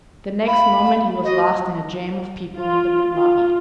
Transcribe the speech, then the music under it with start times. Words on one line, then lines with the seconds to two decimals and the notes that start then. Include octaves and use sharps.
The next moment he was lost in a jam of people in the lobby.
0.47 F5 B5
1.24 F#4 D#5
2.56 F4
3.15 F4